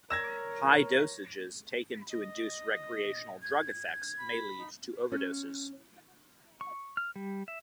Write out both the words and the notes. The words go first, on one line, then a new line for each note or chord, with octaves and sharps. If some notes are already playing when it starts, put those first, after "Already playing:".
High dosages taken to induce recreational drug effects may lead to overdoses.
A#4 C#5 D5 E6 G#6 A#6 E7
D#5
G#6
B5
D#4
C#4
C#6
F6
G3
E5